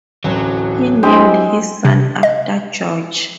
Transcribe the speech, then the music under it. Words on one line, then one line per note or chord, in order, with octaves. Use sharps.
He named his son after George.
D1 A1 F#3
G#3 C4 D4 E4 G4
C3
D#5